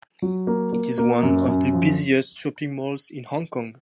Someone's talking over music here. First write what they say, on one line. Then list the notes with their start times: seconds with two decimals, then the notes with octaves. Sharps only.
It is one of the busiest shopping malls in Hong Kong.
0.22 F#3
0.47 A#3
0.72 A#3
0.98 A#3
1.23 F#2
1.48 F#2
1.73 F3